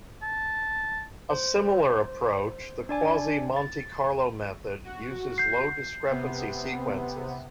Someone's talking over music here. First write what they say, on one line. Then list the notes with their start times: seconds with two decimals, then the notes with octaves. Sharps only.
A similar approach, the quasi-Monte Carlo method, uses low-discrepancy sequences.
0.22 A5
1.31 C5
2.89 D4 D5 G#5
3.56 A6
4.85 F#4
5.38 G6 C7
6.09 C3 B3